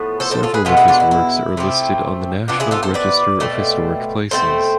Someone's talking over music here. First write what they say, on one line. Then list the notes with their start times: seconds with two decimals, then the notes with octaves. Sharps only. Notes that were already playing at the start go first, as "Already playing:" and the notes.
Several of his works are listed on the National Register of Historic Places.
Already playing: A2 F3 B3
0.20 A4 C5
0.31 A4 C5
0.43 F4 A4
0.54 G#4 B4
0.65 B2 G#3 B3 F4 A4
0.77 E4 G#4
0.88 D4 F4
1.00 E4
1.11 E4
1.57 C3 F3 A3 C4
2.48 C3 F3 B3 D4 F4
2.60 E4 G#4
2.71 F4 A4
2.83 A4 C5
2.94 B4 D5
3.40 B2 A3 C4
4.31 B2 A3 C4 A4 C5